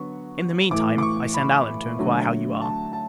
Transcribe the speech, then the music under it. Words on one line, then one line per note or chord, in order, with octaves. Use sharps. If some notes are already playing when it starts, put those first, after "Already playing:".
In the mean time, I send Allen to inquire how you are.
Already playing: D3 F#3 B3 C#6
A2 E3 A3 D6
D6
C#6
B5
D3 F#3 A3
A5
A5